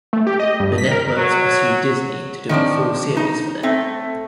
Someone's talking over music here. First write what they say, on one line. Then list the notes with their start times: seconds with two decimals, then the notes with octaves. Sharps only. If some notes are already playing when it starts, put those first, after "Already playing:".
The networks pursued Disney to do a full series for them.
0.13 A3
0.27 G4
0.40 D#5
0.60 G2
0.78 B6
0.91 A#4
1.16 F#3
2.49 D#3 F3 C4 D4
3.17 D#4 A#5
3.63 A3 C4